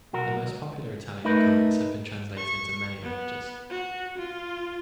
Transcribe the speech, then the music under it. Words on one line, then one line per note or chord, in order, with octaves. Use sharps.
The most popular Italian comics have been translated into many languages.
B1 F#4 A#4
C#2
A3 D#4 A#4 B4
C#6
B3
F#4
F4